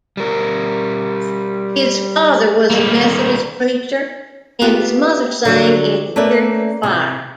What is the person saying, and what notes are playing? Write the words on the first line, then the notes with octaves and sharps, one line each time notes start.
His father was a Methodist preacher and his mother sang in the church choir.
G3 A#4
G3 A#3
B3 F4 G4 B4
D3 F#3 G3
A3 A#3 C#4 B4 D5 E5
C3 E4